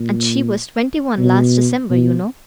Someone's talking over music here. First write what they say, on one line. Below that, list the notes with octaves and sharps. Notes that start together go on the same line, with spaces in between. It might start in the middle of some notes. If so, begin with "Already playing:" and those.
And she was twenty-one last December, you know.
Already playing: A#2
B2
B2